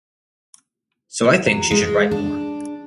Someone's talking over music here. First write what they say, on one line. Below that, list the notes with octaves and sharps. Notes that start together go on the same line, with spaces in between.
So I think she should write more.
F#3
G#3
D4